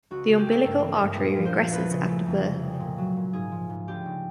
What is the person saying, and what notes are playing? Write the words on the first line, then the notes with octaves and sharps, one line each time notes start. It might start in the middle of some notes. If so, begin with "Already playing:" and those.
The umbilical artery regresses after birth.
C#2 F#4
C#3
G4
A3
A4
G2 A#4
E3
A#4
G2
A#2 A#4
F3
C5
A#2
E2 B4
C#3
A3
F2
C3
G#3
A#2
F#3
A#2
G#2 G#4
F3
G#2
D2 G4
C#3